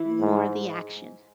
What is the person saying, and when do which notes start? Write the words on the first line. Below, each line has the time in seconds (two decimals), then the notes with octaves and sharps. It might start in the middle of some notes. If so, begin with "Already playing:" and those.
more of the action.
Already playing: E3 E4
0.20 G#2